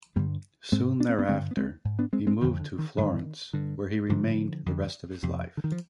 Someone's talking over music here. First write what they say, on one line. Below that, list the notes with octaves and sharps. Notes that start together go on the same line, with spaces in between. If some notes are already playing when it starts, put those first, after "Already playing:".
Soon thereafter, he moved to Florence, where he remained the rest of his life.
G2 D3 G3 B3
G#2 G#3 C4
D4
C4
B3 D4
G2 D3 G#3 C4
B3
G#3 C4
G#2
B3 D4
G#3 C4
G#3 C4
F2 D3 D#3
D3
D#3
G2 D3 D#3
G2 D3
G#2 D3 F3
F2 D3
F2 C3
D3
D#3
F3